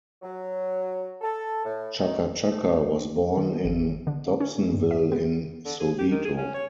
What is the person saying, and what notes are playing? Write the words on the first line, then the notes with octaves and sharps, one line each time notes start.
Chaka Chaka was born in Dobsonville in Soweto.
F#3
A4
A2
D#3
A3
D#3
G#1
D3
C#4
G2
E5
B3
D3
G#4
G4
D#3
G#4
C#4
C#5